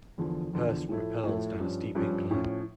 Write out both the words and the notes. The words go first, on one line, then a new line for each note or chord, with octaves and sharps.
A person rappels down a steep incline.
E2 D3 F3
E2 D3 F3
A2 F3 A3 E4
A2 F3 A3 E4
G2 F3 C#4
G2 F3 C#4
A2 F3 C#4